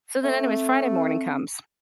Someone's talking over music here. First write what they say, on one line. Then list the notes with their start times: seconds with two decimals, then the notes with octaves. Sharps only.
So then anyways, Friday morning comes
0.24 A3 C4